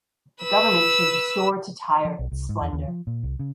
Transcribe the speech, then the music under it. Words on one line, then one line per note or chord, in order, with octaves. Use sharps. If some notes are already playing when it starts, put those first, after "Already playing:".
The government should restore to Tyre its splendor.
B4 E6
F3
B1
C2
G#2
E2
D#2
F3
A#2
C2
C#3